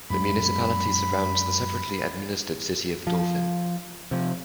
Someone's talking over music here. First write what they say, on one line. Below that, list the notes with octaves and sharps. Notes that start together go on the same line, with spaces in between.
The municipality surrounds the separately administered city of Dauphin.
F#2 G#3 B5
F3
C3 F3